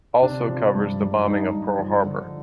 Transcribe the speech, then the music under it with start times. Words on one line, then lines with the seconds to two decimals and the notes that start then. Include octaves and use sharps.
Also covers the bombing of Pearl Harbor.
0.22 C3 D4
0.49 F3
0.75 G2
1.00 G2
1.26 G2 D#4
1.52 G2
1.78 F3
2.05 D3